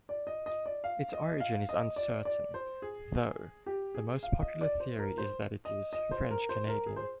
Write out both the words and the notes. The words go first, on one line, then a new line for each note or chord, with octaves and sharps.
Its origin is uncertain, though the most popular theory is that it is French-Canadian.
D5
D#5
D#5
D5
F5
D#5
F5
D#5
D5
D5
C5
G#4
G4
G#4
F5
D#5
D5
C5
A#4
C5
D#5
D#5
C5
A#4
C5
A#4
G#4
C5